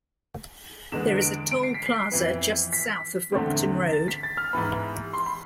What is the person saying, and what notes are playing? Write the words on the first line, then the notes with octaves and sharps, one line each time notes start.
There is a toll plaza just south of Rockton Road.
E2 D3 G#3 B3 E7
D7
D7
C7
B6
C7
F2 E3 B3
B6
E2 D3 A3 C4
A6
B6
A6
F6
G#2 E3 B3 B5
C6
B5